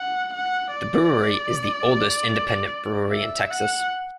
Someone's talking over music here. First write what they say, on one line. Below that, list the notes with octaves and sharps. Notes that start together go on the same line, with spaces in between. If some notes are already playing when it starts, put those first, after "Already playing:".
The brewery is the oldest independent brewery in Texas.
Already playing: F#5
F#5
D5
E5
F#5